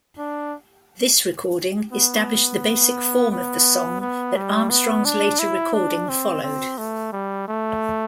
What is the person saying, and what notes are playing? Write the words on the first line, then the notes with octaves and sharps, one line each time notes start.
This recording established the basic form of the song that Armstrong's later recording followed.
D4
B3
B3
B3
G3
B3
D4
E4
D4
C4
C4
A3
G3
A3